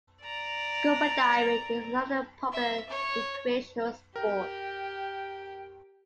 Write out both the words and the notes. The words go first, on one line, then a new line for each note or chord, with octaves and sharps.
Scuba diving is another popular recreational sport.
D5 A#5
E5
C#5
G4 A#4 G5